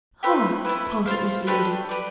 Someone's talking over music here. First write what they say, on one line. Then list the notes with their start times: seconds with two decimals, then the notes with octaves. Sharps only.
"Ah!" panted Miss Belinda.
0.23 A3 C4 G4 B4
0.65 A3 E4 B4
1.06 F4 C5 F5
1.47 A3 D4 G4 B4
1.89 G4 B4 D5